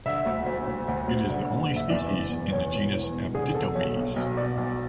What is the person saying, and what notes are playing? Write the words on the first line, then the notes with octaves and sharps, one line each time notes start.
It is the only species in the genus Abditomys.
D3 E5
D2
D2
D2
D2
D2
D3
F#1
F#1
E5
E2 D5
F#1
E2
E2 C#5
E1
E2
E1
D3 G#4
D3 A4
B1 C#5
B1
B1
B2 D5
B1